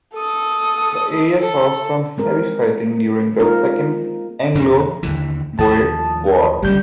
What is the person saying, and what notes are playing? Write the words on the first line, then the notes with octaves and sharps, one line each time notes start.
The area saw some heavy fighting during the Second Anglo-Boer War.
A4 D#6
A4
G#3 C4 A#4
G#3 A#3 C4 D#4 F4 A#4
F2 B2 D#3
D#2 D3 E3
D#2 F3 A5 D#6
F1 C#2 D3 G3 G6